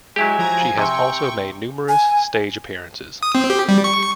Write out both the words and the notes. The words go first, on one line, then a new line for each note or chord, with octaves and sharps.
She has also made numerous stage appearances.
F#3 G#3 E4 G4 G#5
F3 A#5 G#6
C3 G5 C#6
G#5
D#6
C4
G4
G3
C#6